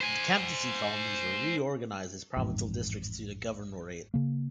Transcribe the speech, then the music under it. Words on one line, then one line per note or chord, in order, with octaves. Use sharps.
The captaincy colonies were reorganized as provincial districts to the Governorate.
C5 G#5
A1 F2 G#2
C#3 A#3